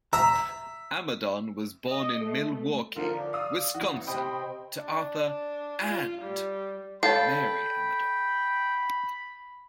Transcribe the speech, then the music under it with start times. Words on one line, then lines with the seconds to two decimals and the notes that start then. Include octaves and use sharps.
Amadon was born in Milwaukee, Wisconsin to Arthur and Mary Amadon.
0.13 E5 A#5
1.88 D#5
2.22 A3
2.96 D3 F3 F4 A#4
3.14 D5
3.33 F5 D#6 E6
3.74 E3 F#4
3.94 A1
4.07 C3 C5 D#5 G5 B5
4.78 D4
5.82 F4
6.21 G3
7.03 A4 C#5 F5 G5 B5